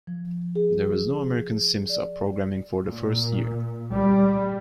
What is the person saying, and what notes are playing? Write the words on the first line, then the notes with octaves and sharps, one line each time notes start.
There was no American simsub programming for the first year.
F3
G#4
D5
A#2
G3